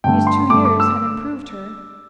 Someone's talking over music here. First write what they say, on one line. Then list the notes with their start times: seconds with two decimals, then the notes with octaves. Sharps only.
These two years had improved her.
0.04 G2 D3 A3 G5
0.27 C6
0.49 G2 D3 A3 D6
0.65 D6
0.80 E6